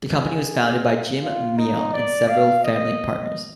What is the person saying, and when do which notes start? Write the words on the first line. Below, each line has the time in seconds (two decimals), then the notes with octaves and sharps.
The company was founded by Jim Miele and several family partners.
0.15 G#4
1.21 F4
1.57 D#4
1.93 D5
2.28 F5
2.64 D#5